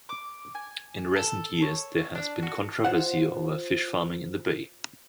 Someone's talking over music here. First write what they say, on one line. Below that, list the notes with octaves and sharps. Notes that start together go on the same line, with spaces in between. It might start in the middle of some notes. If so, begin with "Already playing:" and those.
In recent years there has been controversy over fish-farming in the bay.
D6
G#5
A4
C#5
D4
F#4
F4 C5 F#5